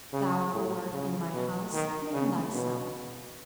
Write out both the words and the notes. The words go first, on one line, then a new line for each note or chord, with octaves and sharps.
'Thou who art in my house, name thyself!
C#3
A2
C#3
B2
D#3
C#3
B2